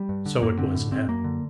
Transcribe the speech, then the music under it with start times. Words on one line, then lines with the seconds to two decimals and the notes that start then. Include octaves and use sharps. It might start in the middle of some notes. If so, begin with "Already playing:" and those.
So it was now.
Already playing: G3
0.09 G2
0.26 D3
0.42 F#2 A#3
0.58 D3 C4
0.75 A2
0.91 A2 C4
1.08 F#2 A#3
1.24 D3